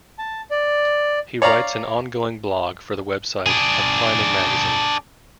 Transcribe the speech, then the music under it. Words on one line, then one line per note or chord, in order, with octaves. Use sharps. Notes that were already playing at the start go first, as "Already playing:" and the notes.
He writes an ongoing blog for the website of Climbing Magazine.
A5
D5
C#5 D5 F5 A#5
D4 G#4